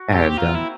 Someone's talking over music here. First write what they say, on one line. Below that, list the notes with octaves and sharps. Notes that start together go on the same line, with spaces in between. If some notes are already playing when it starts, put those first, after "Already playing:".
And, um
Already playing: F#4
C4 G4
A#3 F4
E4